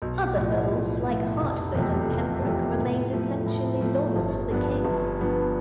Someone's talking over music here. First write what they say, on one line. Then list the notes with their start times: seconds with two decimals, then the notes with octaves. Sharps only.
Other earls, like Hertford and Pembroke, remained essentially loyal to the king.
0.02 B1
0.36 A2 F3
0.71 B1
1.05 A2 F3
1.39 F1
1.74 E2 C3 F3 A3
2.09 F1
2.43 E2 C3 F3 A3
2.78 A2
3.12 F3 A3
3.46 A2
3.81 F3 A3
4.16 G1
4.50 G2 F3 B3 D4
4.85 G1
5.19 G2 F3 B3 D4